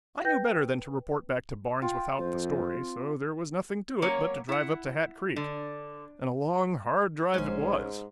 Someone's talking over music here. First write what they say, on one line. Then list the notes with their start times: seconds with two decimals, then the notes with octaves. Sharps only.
I knew better than to report back to Barnes without the story, so there was nothing to it but to drive up to Hat Creek, and a long, hard drive it was.
0.25 B4 G5 G6 A#6
1.82 F4 G5
2.19 F2 C5
2.80 C4
4.02 F#3 A#3 C#4 C#5
4.49 E4 F#5
5.36 D3
7.34 A#1 G#2 G#3 C#4 C5